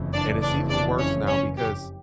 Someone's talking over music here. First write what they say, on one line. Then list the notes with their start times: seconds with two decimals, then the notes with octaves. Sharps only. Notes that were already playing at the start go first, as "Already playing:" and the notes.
And it's even worse now because
Already playing: F#1 F2 C#3 E3
0.13 D4 D5
0.41 D4 D5
0.70 D4 D5
0.99 C#4 C#5
1.27 C#4 C#5
1.57 G4